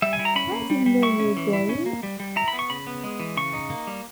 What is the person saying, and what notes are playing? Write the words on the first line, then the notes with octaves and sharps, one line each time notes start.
I didn't know you were gone.
G3 E5
G#5
E4
A#5
C#4 B5
A#3
G3
G3
E4 C#6
C#4
E3
E4
C#4
A#3
G3
G3
E4 A#5
B5
B3
C#6
C#3 B5
B3
G#3
E3
C#3 C#6
D#4
A#3
G3